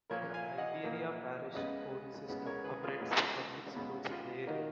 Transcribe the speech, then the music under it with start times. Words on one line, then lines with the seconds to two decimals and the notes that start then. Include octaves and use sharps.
The Iberia Parish School System operates the public schools in the area.
0.10 A#2 F3 A#3 A#4 C#5
0.34 F5 G#5
0.58 D#5 F#5
0.83 A#2 F3 A#3
1.55 C#2 C#3 G#3 B3 B4 D#5
2.29 C#2 C#3 G#3 B3
2.46 A#4 C#5
2.64 G#4 B4
2.83 F4 G#4
3.01 C#2 B2 G#3 B3
3.74 C#2 B2 G#3 B3
4.11 F4
4.47 D#3 A#3 D#4 F#4